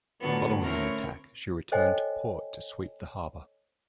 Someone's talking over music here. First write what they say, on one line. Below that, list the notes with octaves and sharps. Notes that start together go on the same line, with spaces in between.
Following the attack, she returned to port to sweep the harbor.
A2 D3 F3 F#3 B3
A3 C4 C#4 E4 A#4 C#5
A4 C5 C#5 D#5 G5 G#5